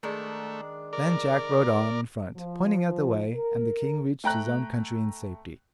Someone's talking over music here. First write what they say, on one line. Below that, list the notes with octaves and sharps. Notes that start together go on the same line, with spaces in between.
Then Jack rode on in front pointing out the way, and the King reached his own country in safety.
D#3 G#3 A3 D4
A#4 D5
F3
A#4
A3 G5 A#5 F#6